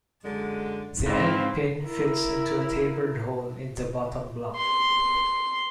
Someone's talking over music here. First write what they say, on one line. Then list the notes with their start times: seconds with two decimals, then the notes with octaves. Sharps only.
The endpin fits into a tapered hole in the bottom block.
0.25 F#2 D3 G#3
1.06 G#2 C#3 G#3 C4 E4 F4 F5
1.85 E4 A#4
4.57 C6